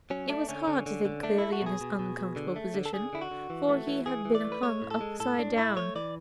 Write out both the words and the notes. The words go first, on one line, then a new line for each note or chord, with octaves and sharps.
It was hard to think clearly in his uncomfortable position, for he had been hung upside down.
F#3 C#4
A3 D4
D3 C#4
D3
D3
D3
A3 D4
A3 E4
F#4
B2 G#4
B2
B2
B2
D3
A3
D3
A4
D3 G#4
D3 E4
F#4
D3
E3
A3
E3
E3 G#4
E3
D5
A3
B4
G#3 C#5
A2
A4
G#3
A2 A4
A2 D4
A2 E4
A3 C#5
E3 D5